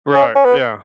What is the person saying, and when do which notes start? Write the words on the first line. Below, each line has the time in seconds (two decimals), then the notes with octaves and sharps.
Right, yeah.
0.14 C#4
0.35 C#4
0.45 B3